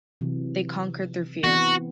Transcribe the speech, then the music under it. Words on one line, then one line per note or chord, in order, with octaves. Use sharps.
They conquered their fear.
C3 E3 F#3
E3 B3 C4 F#4